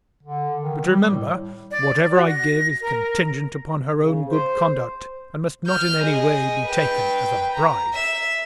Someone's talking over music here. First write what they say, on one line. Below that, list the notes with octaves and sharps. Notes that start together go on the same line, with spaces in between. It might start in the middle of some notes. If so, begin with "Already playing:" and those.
But remember, whatever I give is contingent upon her own good conduct, and must not in any way be taken as a bribe.
D3
D#3
G3
A2
D5
F#4
A#6
A#4
C#3
C5
F6 G6
G#4 D#5
B4 G5
A#5
E5 E7